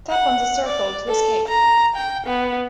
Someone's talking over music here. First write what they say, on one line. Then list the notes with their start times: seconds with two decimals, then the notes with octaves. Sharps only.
Tap on the circle to escape.
0.11 F#5
0.67 D5
1.08 A4
1.49 A#5
1.96 G5
2.27 B3